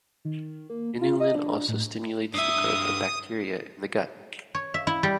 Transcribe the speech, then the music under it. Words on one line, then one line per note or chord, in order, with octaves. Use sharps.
Inulin also stimulates the growth of bacteria in the gut.
D#3
A#3
F4
D#5
D4
A2
G2 E5 D#6
C#5
E5
E4
G3